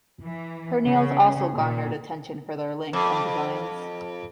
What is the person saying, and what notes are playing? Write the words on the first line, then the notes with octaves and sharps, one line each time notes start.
Her nails also garnered attention for their length and designs.
E3
C#3
A#2
F2